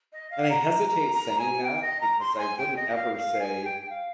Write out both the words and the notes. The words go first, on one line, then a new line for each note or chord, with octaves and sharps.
and I hesitate saying that because I wouldn't ever say,
D#5
F5
A#5
A#5
A#5
A#5
G#5
G5
D#5
A#5
C6
G#5
G5
D#5
F5
F5
G#5
G5
F5